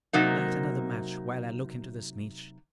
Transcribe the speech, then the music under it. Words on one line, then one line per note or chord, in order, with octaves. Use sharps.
Light another match while I look into this niche.
C3 F#3 A#3 D#4